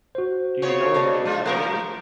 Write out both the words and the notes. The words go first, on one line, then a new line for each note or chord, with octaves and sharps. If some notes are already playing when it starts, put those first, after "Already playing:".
Do you know in which hotel are you?
F#4 C5
C#3 B3 F4 C#5
A#3 D4 D#4
G#3 F4
F3 A3 F#4 A#4 F5